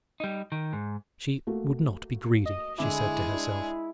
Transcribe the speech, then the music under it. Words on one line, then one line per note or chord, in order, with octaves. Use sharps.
She would not be greedy, she said to herself.
G3 D#4
D#3
G#2
A3 A#3 F#4
D#5
D3 G#3 E4 G#4 D6
D4